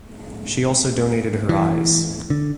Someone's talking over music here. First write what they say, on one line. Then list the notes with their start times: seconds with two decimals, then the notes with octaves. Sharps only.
She also donated her eyes.
1.49 E3
2.30 D3